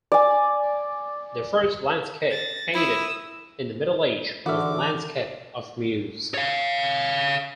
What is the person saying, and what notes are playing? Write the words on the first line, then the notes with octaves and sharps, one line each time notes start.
The first landscape painted in the Middle-Age was the landscape of Meuse.
D5 G#5
A6 A#6
E4 D#6 E6
D3 E3 F#4 E5 D6 F6
C#5 F5